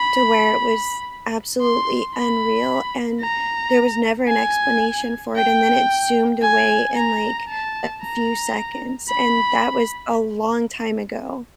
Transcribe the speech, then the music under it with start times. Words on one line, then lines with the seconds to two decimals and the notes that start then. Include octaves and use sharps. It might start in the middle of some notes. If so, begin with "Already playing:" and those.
to where it was absolutely unreal and there was never an explanation for it, and then it zoomed away in, like, a few seconds. And that was a long time ago.
Already playing: B5
1.62 C6
2.15 B5
3.21 A#5
4.28 G#5
5.36 G5
6.42 G#5
6.95 A#5
7.50 A5
8.02 A#5
9.09 B5